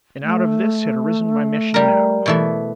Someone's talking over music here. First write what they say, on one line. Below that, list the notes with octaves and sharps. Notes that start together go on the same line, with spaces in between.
And out of this had arisen my mission now.
A3
G3 A#4
B2 E3 A3